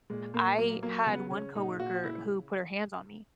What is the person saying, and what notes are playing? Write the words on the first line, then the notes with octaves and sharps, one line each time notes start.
I had one coworker who put her hands on me.
A#2 G#3
A#2 A#3
F#3 A#3
F#3 A#3
C#3 B3
C#3 C#4
A#2 D#4
A#2 F#4
C#3 E4